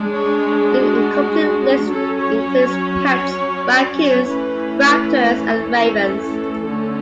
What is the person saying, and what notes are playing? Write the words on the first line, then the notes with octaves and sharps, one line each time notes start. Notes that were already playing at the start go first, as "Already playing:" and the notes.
An incomplete list includes cats, raccoons, raptors and ravens.
Already playing: G#3 D4
C#5
F#4
F#3 C#4 A4
C#5
C#5
D5
C#5
E3 A3 C#4 B4
B4
A4
D3 A3 C#4